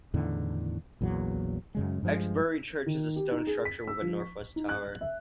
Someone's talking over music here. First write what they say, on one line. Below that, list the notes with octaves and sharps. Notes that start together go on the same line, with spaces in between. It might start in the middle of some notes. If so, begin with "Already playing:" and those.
Exbury church is a stone structure with a northwest tower.
E2 A2 D3 D#3
A#1 E2 A#2 F#3
F#2 C#3 G#3
G2 F3 G#3
D#3
G4
D#4
G#4
B6
E6
F3
C#6
D#4
F#6
E5